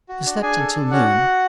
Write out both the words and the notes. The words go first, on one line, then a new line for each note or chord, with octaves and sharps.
He slept until noon.
F#4
D4
D4 G#4 G#5
A4
D4
C#4 F#4 F#5